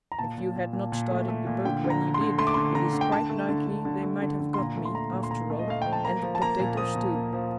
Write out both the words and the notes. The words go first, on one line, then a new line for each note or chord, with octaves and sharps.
If you had not started the boat when you did, it is quite likely they might have got me, after all, and the potatoes too.
A#5
A#2 A5
A#2
A#2
A#2
A#2
A3
A3
A#2
D3 G5
D3
A#5
D3
C6
D3
A3 C6
D6
D3 C6
D3 A#5
D3
G5
D3 A5
A3
D3
D3
D3
A3
D3
D3
C6
A#2 A#5
A3
C6
A3 A#5
A#2
C6
A#2 A#5
A3
D#5
A3 F5
F3 G5
A5
A#3 A#5
F3
A5
A#3 A#5
A#2
F3 D#6
A#2
A#3
F3